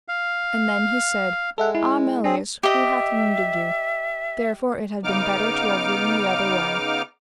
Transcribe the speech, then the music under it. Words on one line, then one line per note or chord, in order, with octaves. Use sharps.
And then he said: Ah Melias, who hath wounded you? therefore it had been better to have ridden the other way.
F5
G#3 A4 E5 F#5
E4
C4 D4 G#4
G4 D#5 E5
C#3 B3 D#4 D6 F6